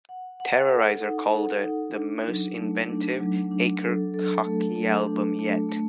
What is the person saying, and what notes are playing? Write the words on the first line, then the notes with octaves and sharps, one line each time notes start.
"Terrorizer" called it "the most inventive Akercocke album yet".
F#5
F#5
A4
D#4
A4
D#4
D4
F#3
A3
D4
F#3
D4
A4
A4
A3
A3
D4
A3
A3